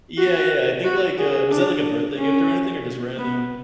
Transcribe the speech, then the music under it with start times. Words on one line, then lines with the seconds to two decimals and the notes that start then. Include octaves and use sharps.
Eh Yeah, yeah, I think, like, uh, was that, like, a birthday gift or anything or just random?
0.18 F#4
0.84 F#4
1.18 G#4
1.51 D4
2.18 C#4
3.19 B3